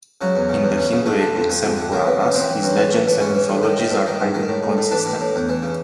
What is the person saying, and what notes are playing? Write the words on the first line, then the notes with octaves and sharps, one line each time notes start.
In the Hindu Epics and Puranas, his legends and mythologies are highly inconsistent.
C#3 F#3
E2
C#3
E2
C#3
C#3
D3 A3
D3
F2
F2
F2
D3
C#3 A#3
E3
C#3
E3 C4
E3
F#2
E3
A2
E3
E3 C#4
E3
A2
D#3
D#3
G2
D#3
G2
D#3
A2
A2
A2
E3 D4
A2
A2
E2
E3
C#3